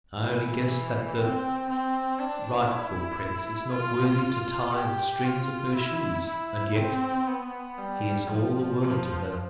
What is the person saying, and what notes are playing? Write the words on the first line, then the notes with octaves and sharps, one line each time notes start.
I only guess that the--rightful prince is not worthy to tie the strings of her shoes, and yet--he is all the world to her.
E3
C4
C4
D4
E4
F4
G4
F4
E4
E4
C4
B3
G3
F3
F3